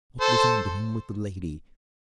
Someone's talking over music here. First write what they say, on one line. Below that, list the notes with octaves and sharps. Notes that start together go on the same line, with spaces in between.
What was I doing with the lady?
A4 C5